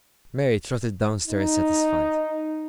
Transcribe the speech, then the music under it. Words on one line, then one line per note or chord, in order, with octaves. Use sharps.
Mary trotted down stairs satisfied.
D#4